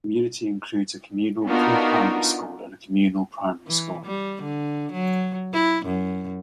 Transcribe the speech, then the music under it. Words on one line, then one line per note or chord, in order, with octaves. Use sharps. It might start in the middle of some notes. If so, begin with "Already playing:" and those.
The community includes a communal pre-primary school and a communal primary school.
B3 D4 D#4 F4 F#4 A#4
E3
G3
D3
F#3
E4
F#2